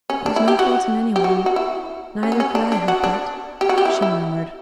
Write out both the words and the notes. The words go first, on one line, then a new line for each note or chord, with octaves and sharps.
"There is no fault in any one; neither could I help it," she murmured.
C#4
D4
E4
G4
F#4
G4
F#4
F#4
E4
C#4
B3
C#4
D4
D4
F#4
D4
G4
F#4
G4
E4
E4